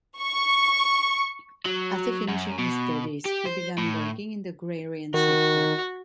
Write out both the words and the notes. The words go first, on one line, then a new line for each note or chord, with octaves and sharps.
After finishing his studies, he began working in the agrarian sector.
C#6
F#3
F#2
B2
G4
C5
A2
D#3 F#4